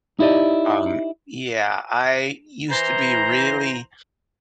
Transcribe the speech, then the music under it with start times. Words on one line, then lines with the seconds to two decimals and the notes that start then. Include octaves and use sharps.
Um yeah, I used to be really
0.19 D#4 E4 G4 D5 D#5
2.71 E3 C5 A#5